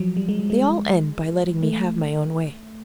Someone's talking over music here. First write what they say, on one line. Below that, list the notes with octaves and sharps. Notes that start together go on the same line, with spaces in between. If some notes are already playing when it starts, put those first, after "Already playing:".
"They all end by letting me have my own way."
Already playing: F3 F#3
G3
G#3
G3
G#3
A3